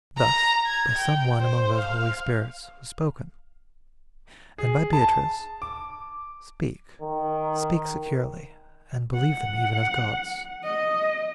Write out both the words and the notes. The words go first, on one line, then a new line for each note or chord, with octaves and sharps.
Thus by some one among those holy spirits Was spoken, and by Beatrice: "Speak, speak Securely, and believe them even as Gods."
A#5
G#6
G5
C5
F5
G#4
A5
D6
D#3
F#5
D#5